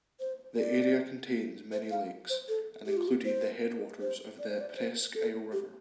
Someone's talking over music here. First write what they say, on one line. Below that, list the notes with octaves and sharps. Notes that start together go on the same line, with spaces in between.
The area contains many lakes, and included the headwaters of the Presque Isle River.
C5
D5
C5
F5
C5
A4
G4
F4
G4
C5
C5
D5
C5
D5
C5
A4
G4